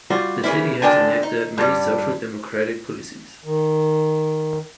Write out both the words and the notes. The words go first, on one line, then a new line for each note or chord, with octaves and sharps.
The city has enacted many social democratic policies.
G3 F4 F#4
C#3 E3 A#3 E4
D3 F3 D4 G5 G#5
D#4
G2 G3
D#3